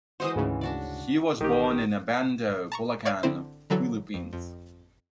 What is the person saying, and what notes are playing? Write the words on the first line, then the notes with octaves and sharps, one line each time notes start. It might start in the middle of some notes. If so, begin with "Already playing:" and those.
He was born in Obando, Bulacan, Philippines.
E3 G#3 F#4 C5 D#5 D#6
D2 G#2 C#3
D4 F#4 D5
A1 D#3 G4
A5 A#5 C#6
C#5 D5 F5 G#6
D3 C4 E4 C5
D3 E3 F#3 F#4 A4
F2
F2